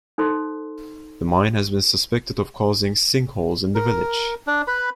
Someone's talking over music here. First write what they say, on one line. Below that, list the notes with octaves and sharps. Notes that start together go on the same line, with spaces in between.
The mine has been suspected of causing sinkholes in the village.
D#4 A4 C5 C6
A#4
D4
B4 B5